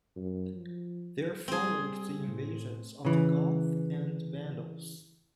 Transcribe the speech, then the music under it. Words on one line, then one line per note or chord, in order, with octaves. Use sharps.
There followed the invasions of the Goths and Vandals.
F#2
F3
G3 C4 G#4
A2
C#3 E3